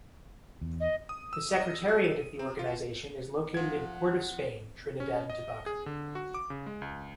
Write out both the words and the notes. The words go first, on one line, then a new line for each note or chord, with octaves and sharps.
The secretariat of the organisation is located in Port of Spain, Trinidad and Tobago.
E2
D#5
D#6
E6
D#5
F#4
D#7
C4
F4
F3 F#5 G#6
C#4
D#5
G#4
D3
F#4
D6
C#3
G#3
C#2